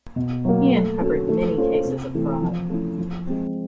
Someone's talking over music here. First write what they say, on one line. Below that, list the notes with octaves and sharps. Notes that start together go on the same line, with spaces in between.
He uncovered many cases of fraud.
B2
F#3 A#3
A3
C#4 F#4 A4
A3
C#4 F4 A4 C5
C3
E3 A3 C4
F3
A3 C#4 E4
F3
G#3 C4